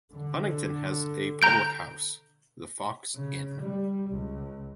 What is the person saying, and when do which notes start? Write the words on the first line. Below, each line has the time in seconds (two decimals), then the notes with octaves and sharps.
Honington has a public house, the "Fox Inn".
0.13 D3
1.42 A#5 G6 D7
3.16 C#3
3.61 G3
4.10 C#2